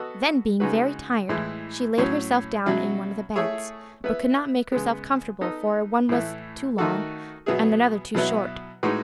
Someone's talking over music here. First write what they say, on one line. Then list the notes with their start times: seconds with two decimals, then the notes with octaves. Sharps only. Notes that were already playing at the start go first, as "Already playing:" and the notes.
Then, being very tired, she laid herself down in one of the beds, but could not make herself comfortable, for one was too long, and another too short.
Already playing: B3 F#4 A4 D#5
0.60 C#3 G#3 D#4 F#4 B4
1.29 A2 E3 G#3
1.98 A2 F#3 C#4
2.66 B2 F#3 C#4 E4
3.35 A3 E4 G#4 C#5 E5
4.04 B3 E4 B4 E5
4.72 C#3 G#3 B3
5.41 B3 D#4 A4 D#5
6.09 A2 E3 A3
6.78 D#3 A3 D#4 F#4 A4
7.46 B2 F#3 B3 E4 G#4
8.15 B2 F#3 B3 E4 B4
8.83 A2 G#3 D#4 F#4 B4